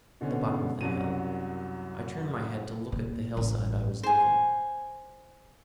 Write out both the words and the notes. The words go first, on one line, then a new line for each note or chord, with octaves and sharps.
At the bottom of the hill I turned my head to look at the hillside I was leaving.
B2 D3 C#4
C2 F#2 F#3 D#7
A#2
A1
C5 G#5